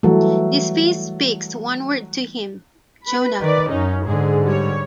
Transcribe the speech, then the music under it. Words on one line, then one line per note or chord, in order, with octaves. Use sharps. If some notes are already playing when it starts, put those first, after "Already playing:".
This face speaks one word to him: "Jonah".
E3 F#3 G3 A3 A4
B4 B5
D#3 B4 D5
F#2 C#4 D#4
G#2 D3 G#4
G3 C#5